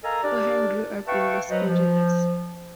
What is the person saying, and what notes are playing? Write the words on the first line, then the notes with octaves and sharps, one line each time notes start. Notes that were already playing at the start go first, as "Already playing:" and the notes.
Cohen grew up in Los Angeles.
A4 A#4 D#5 F5 G#5 A#5
D4 G4 A#4 D5
B4 E5 F5 G5 A5 C#6
F#3 F#4 B4 C5 D#5
F3